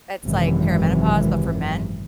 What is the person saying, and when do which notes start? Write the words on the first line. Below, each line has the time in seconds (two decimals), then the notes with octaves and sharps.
it's like perimenopause, but for men.
0.24 G#1 F#2 C3 E3